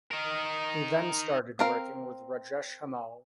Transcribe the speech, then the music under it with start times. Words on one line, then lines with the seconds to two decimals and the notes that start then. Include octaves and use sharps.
He then started working with Rajesh Hamal.
0.11 D#4 A#4
1.59 C4 A#4 F5